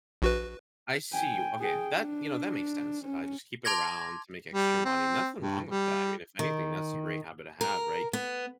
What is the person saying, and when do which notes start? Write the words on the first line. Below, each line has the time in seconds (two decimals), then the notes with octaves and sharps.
I see, you Okay. That You know, that makes sense, uh, just keep it around to make extra money. Nothing wrong with that, I mean, if anything, that's a great habit to have, right?
0.22 A#1 F#4 B4
1.13 G5 G#5
1.59 G#4 G5
1.98 D4
3.05 C#4
3.65 A5 C6 D6 G#6 A#6
4.54 G3
4.85 C4
5.41 G2
5.69 G3
6.39 D#3
7.61 A#4
8.13 B3